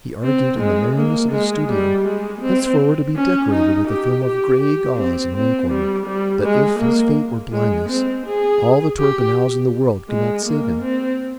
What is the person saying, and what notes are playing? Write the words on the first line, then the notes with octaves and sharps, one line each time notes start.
He argued, in the loneliness of his studio, henceforward to be decorated with a film of gray gauze in one corner, that, if his fate were blindness, all the Torpenhows in the world could not save him.
C4
G#3
A#3
G#3
G3
G#3
C4
C#4
D#4
G4
G4
G4
C4
C4
G3
G3
G#3
A#3
G#3
C4
G#4
G4
G#3
A#3
C4